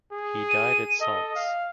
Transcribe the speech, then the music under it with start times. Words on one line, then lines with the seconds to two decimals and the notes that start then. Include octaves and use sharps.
He died at Saulx.
0.13 G#4
0.48 D#7
1.00 A4 D#5
1.35 F5